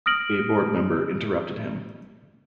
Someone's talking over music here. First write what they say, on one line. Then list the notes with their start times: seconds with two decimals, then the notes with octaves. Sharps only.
A board member interrupted him.
0.06 D#6 F6 A#6 D7 F#7